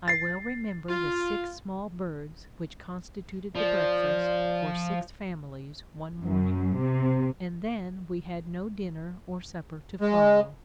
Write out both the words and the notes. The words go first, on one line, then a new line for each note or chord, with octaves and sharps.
I well remember the six small birds which constituted the breakfast for six families one morning; and then we had no dinner or supper to follow!
A6 C7
F4
F3 D5
F#2
C3
G#3